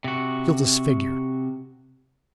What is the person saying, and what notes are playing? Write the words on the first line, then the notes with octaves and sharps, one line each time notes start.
'You'll disfigure.
C3 F#4